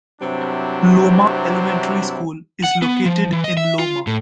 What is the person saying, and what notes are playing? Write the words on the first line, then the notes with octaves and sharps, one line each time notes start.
Loma Elementary School is located in Loma.
G2 C3 F#3 C4 D4 E4
F#5
B3
F3
E3
D#5
E5
F4
A2